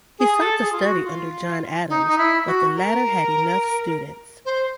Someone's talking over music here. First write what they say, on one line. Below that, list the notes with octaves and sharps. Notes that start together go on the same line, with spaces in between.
He sought to study under John Adams, but the latter had enough students.
G#4
A4
G#4
F4
F#4
F4
D#4
D#4
E4
F#4
A#4
C5